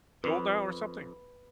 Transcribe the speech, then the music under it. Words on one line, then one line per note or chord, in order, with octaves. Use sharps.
old now or something.
F2 B4